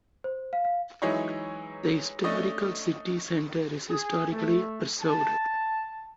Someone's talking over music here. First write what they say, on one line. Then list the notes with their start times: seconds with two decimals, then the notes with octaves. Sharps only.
The historical city center is historically preserved.
0.24 C5
0.53 F5
0.65 F5
1.02 E3 F#3 G#3 D#4 E4 C#5
2.24 A3 C#4 D4 D#5
3.90 G#4
4.31 A3
5.02 A5